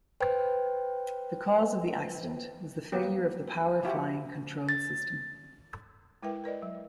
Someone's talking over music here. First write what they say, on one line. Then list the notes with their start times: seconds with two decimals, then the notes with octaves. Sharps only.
The cause of the accident was the failure of the power flying control system.
0.21 B4 C5 G5
2.92 A#3 B3 G4
3.83 F3 E4 F#4 G4
4.69 A6
6.23 G#3 E4 A#4 B4 E5 G5
6.44 A#4 B4 D5 D#5
6.62 F#3